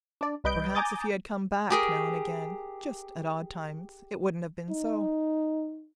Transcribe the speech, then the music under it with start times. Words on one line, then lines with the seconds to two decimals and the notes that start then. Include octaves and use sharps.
Perhaps if you had come back now and again, just at odd times, it wouldn't have been so.
0.21 D4 D5
0.44 C2 G3 B4 D#5 G6 D7
0.75 G#5 A#5 D6 D#6 G6 A6
1.70 G4 G#4 A#4
4.69 D#4